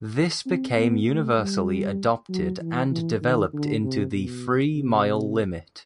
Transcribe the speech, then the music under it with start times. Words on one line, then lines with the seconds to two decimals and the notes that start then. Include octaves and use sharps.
This became universally adopted and developed into the three-mile limit.
0.46 C4
0.77 B3
1.07 A3
1.38 G3
2.29 F#3
2.61 E3
2.91 E3
3.21 D#3
3.53 D3
3.83 C3
4.13 B2
4.75 C3